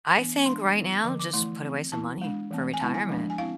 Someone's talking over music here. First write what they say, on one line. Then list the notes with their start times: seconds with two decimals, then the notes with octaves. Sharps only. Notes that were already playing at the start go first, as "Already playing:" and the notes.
I think right now just put away some money for retirement.
0.16 E3 B3 D4
0.45 E3 G#3 D4 C6
0.75 E3 B3 E4
1.04 D3 F3 B3 D6
1.20 D6
1.33 E3 A3 E4 C6
1.63 E3 A3 C4
1.92 E3 B3 E4 A5
2.21 G#3 D4
2.51 E3 A3 C4
2.74 G#5
2.80 D3 G#3 B3 E4 A5
2.94 G#5
3.09 F3 G#3 D4
3.30 G#5
3.38 C4 E4 F5